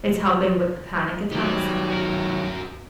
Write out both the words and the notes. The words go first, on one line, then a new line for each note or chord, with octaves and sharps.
It's helping with the panic attacks?
D#3 F#3 G4 D5
F#4 A#4